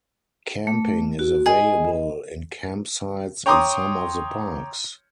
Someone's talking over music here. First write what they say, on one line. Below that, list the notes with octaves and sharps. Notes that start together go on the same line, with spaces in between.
Camping is available in campsites in some of the parks.
A3
F#4
G#4 D#5
C#5 G5 A#5 C6 D6 D#6